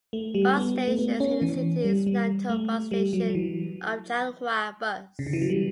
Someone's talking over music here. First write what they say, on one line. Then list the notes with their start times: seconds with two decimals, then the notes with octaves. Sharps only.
Bus stations in the city is Nantou Bus Station of Changhua Bus.
0.13 A3
0.35 G3
0.56 B3
0.87 A3
0.99 B3
1.20 C#4
1.41 E3
1.84 G3
2.07 G3
2.49 A3
2.91 G3
3.13 F#3
3.30 F#3
3.35 E3
5.19 C#3
5.27 D3
5.33 E3
5.42 F#3
5.50 G3